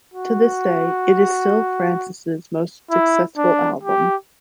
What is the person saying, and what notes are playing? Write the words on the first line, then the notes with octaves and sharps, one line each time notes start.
To this day, it is still Francis' most successful album.
F#4
E4
D4
G4